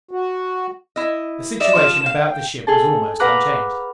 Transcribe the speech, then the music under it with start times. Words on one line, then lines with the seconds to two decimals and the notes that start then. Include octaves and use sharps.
The situation about the ship was almost unchanged.
0.11 F#4
0.96 E4 D#5
1.60 D#4 D5 E5 E7
1.75 F3 F4
2.06 F5
2.30 G5
2.67 G#4 A4 A5
3.20 B4 F5 F#5 A#5 D6 F#6